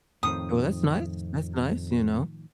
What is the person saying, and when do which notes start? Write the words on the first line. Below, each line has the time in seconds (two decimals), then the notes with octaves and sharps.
Well, that's nice that's nice, you know,
0.23 F2 A2 D#3 F3 D#6